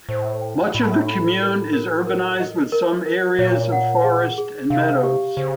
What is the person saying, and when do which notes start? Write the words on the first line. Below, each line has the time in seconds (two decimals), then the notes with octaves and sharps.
Much of the commune is urbanised with some areas of forest and meadows.
0.09 A2 C5
0.41 G5
0.74 A2 B5
1.07 B5
1.41 A#4
1.73 A#4
2.07 A#4
2.40 D#5
2.72 A#4
3.06 A#4
3.39 A#2 C#5
3.72 F#5
4.04 G#4
4.38 G#4
4.70 C3 F5
5.03 G4
5.37 C#3 C5